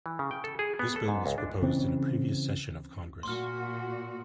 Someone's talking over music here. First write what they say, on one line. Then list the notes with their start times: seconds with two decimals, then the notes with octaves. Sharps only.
This bill was proposed in a previous session of Congress.
0.06 E3
0.19 C#3
0.31 G5
0.44 A4
0.59 G#4
0.79 B3
0.96 A4
1.08 G#2
1.26 C#2
1.38 D4
1.62 C#3 E3 C4
3.23 A#2 F#4 C6 F6